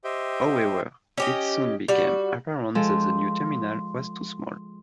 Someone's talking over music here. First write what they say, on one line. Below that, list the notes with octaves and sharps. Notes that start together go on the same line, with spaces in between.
However, it soon became apparent that the new terminal was too small.
G4 C5 D#5 E5 G5
C#4 G4 D#5
G3 F#4
F3 G#3 A4